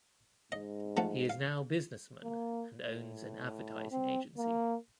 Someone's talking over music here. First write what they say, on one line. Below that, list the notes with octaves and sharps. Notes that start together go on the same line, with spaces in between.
He is now businessman and owns an advertising agency.
G#2 D#5
F3 A3 F#4
F5
A#3
A2
C4
A#3